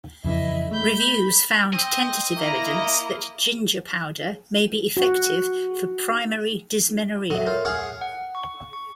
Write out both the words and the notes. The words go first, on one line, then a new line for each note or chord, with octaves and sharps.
Reviews found tentative evidence that ginger powder may be effective for primary dysmenorrhea.
F2 C#3 E3 E4 D#5
A3 B5 G6
B5
C4 D#5
A#3 E4 A#5
F#4
F#3 A4 E5
F4 A#4 C#5
G#4 F5 F#5 D#6
F#5
C#6
C#6